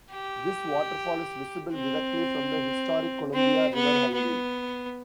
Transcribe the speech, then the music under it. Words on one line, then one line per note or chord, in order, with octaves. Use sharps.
This waterfall is visible directly from the Historic Columbia River Highway.
G4
C4
C4
B3
B3